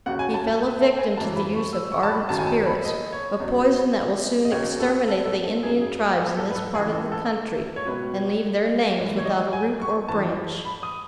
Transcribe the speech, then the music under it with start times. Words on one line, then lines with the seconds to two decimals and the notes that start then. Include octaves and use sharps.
He fell a victim to the use of ardent spirits--a poison that will soon exterminate the Indian tribes in this part of the country, and leave their names without a root or branch.
0.06 D#2 C#3 F#3 F#5
0.19 G#5
0.34 A5
0.47 A5
0.62 B4
0.81 A4
0.98 G#5
1.17 F#2 C#3 E3 A5
1.35 B5
1.55 C#6
1.73 E6
1.92 C#6
2.03 A5
2.10 B5
2.29 F#2 D#3 F#3 A5
2.39 G#5
2.47 A5
2.66 B5
2.85 D#5
3.12 C#5
3.40 E2 C#3 F#3
4.45 D#5
4.51 D#2 C#3 F#3 C#5
4.80 A4
5.08 A4
5.25 A4
5.44 A4
5.63 F#2 C#3 F#3 G#4
5.81 G#4
6.01 A4
6.19 A4
6.37 A4
6.50 B4
6.56 A4
6.74 C#2 C#3 E3 G#4
6.93 A4
7.12 A4
7.76 C#5
7.85 C#2 B2 F#3 B4
8.98 G#2 E3
9.18 C#5
9.25 D#5
9.53 G#5
9.81 C#6
10.08 F#2 E3 A5
10.65 B5
10.83 D#6